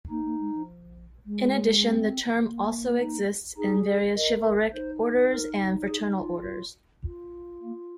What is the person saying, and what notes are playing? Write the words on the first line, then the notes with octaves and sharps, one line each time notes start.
In addition, the term also exists in various chivalric orders and fraternal orders.
A#3 D#4
A#3
G#3
F3
G#3
C4
A#3
D#4
D#4 G#4
A#4 D#5
D#4 C5
A#4
G#4
F4
F4
A#3